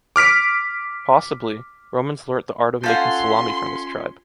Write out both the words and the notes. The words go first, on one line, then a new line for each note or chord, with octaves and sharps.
Possibly, Romans learnt the art of making salami from this tribe.
D6 F6 B6 D7
C#4 F4 A4 F5 F#5 C6 G6